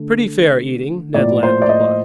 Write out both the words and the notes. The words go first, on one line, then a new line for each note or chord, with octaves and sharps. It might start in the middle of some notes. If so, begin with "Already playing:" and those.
"Pretty fair eating," Ned Land replied.
Already playing: D3 A3
A2 F3 A#3 D5
C5
D5
C5 D#5